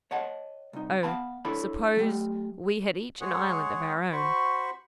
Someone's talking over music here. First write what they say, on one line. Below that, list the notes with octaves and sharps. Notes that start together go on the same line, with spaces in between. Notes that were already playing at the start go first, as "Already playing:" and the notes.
Oh! suppose we had each an island of our own.'
C#5 D#5 F#5 A5
C2 D#4
B3 F5 A5 B5
D4 E4 A4 C#5 A5 B5
F#3 A3 G4
G#3 G#4 C#5 F#5
F#4 C5 B5 C#6